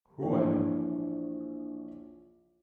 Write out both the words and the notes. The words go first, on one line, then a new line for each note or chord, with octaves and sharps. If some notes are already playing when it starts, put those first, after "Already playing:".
Who are you?
A#1 E3 D4 C#5